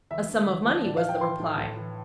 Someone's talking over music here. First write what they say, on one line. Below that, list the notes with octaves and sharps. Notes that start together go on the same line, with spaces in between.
"A sum of money," was the reply.
E2 E5
D3
E2
F3
A2 D5
F5
E3
G5
E3 C6
A2
A2
E3